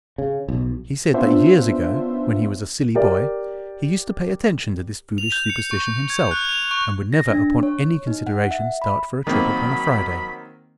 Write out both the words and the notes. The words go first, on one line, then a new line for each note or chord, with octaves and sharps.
He said that years ago, when he was a silly boy, he used to pay attention to this foolish superstition himself, and would never upon any consideration start for a trip upon a Friday.
C#3
B1
B3 C#4 D4 F4 C5 E5
G4 A#4 D5
F7
G6
C#7
C#6
G#6
F#6
F7
C#6
A#6
D4
C#5
D#4
F#5
E5
B5
D#3 F#3 A#3 C4 B5